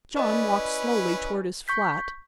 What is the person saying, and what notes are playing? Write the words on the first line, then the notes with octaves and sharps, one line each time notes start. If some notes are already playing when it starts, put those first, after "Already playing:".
John walked slowly toward his flat.
C#4 E4 B4 D5 D#5
C#6 G6 B6